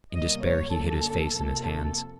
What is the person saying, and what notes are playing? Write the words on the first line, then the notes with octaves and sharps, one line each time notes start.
In despair he hid his face in his hands.
C2 B2 G3 A#3 D#5
C#5
F#2 D3 F#3 A#3 A4
F2 C3 F3 A#3
A4